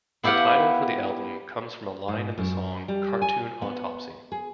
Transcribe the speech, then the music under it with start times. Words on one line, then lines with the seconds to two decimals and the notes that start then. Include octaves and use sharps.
The title for the album comes from a line in the song "Cartoon Autopsy".
0.23 B3 E4 G4 F5 F#5
2.08 G#2
2.38 F#2
2.88 G3
3.22 G#5
3.62 B3
4.32 G#4